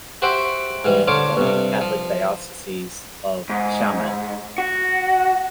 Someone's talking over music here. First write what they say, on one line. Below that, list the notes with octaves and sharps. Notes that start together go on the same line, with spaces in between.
It belongs to Roman Catholic Diocese of Xiamen.
F#4 G4 C5 E5 F#5 G5
G#2 E3 G3
D3 C5 C#5 F5 D6
G2 C3
F3
G#2
F#4